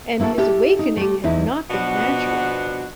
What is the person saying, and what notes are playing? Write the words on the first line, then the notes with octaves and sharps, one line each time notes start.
And his awakening had not been natural!
A#3 E4 F#4 A4
E4 G4 A4
D#4
A3 G4
E2 D#4 E4
B2 F3 B3 D4 F#4